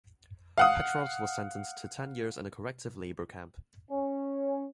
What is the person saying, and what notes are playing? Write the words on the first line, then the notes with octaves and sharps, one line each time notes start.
Petrovs was sentenced to ten years in a corrective labor camp.
F5 F#5 D#6
C#4